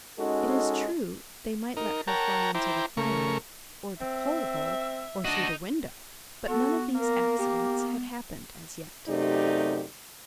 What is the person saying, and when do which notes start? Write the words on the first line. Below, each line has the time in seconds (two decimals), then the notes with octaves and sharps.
It is true, they might let her fly into the fire or the coal-hole, or through the window; but none of these accidents had happened as yet.
0.19 G#3 C#4 D#4 F#4 A4
1.77 D#4 A#4
2.07 A#4 C#5 F#5 G5 A5 A#5
2.55 E4 C5 G5 A#5 D6
2.97 C#3 A3 A#4 C#6
4.01 C4 E5
5.25 D4 D#4 F#4
6.47 B3 F#4 A4
6.95 A#3 A#4
7.39 B3 G4
9.08 F#2 C3 A3 D#4 G4 D5